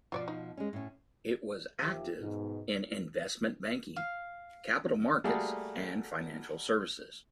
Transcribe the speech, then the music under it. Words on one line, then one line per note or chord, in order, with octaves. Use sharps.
It was active in investment banking, capital markets and financial services.
B2 F3 F4 C#5 D5
D#4
G#3 C#4
A2 C#4
D#2 F3 G4 E5
G#2 B2
F5
G3 A3 A#3 F#4 G#4 A4